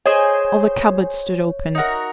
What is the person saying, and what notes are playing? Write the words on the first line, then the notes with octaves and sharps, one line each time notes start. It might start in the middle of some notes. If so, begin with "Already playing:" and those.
All the cupboards stood open.
G#4 C5 C#5 D#5 G#5
D#4 F#4 A#4